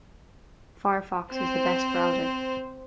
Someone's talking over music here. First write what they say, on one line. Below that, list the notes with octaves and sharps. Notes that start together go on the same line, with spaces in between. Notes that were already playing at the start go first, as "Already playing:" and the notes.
Firefox is the best browser.
C4 C5